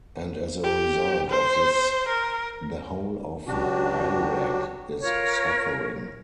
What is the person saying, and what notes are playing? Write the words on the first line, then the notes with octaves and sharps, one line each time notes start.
And as a result of this the whole of Iraq is suffering.
G4
C5
A#4
C#2 F#3 D4 F#4 G4
F4 A#4 C#5